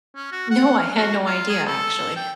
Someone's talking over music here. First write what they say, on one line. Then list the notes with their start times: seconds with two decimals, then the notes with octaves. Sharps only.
No, I had no idea, actually.
0.16 C#4
0.32 F#4
0.51 F#5
0.79 F5
0.97 F#4
1.25 F4
1.49 G#4
1.67 A4
2.16 G5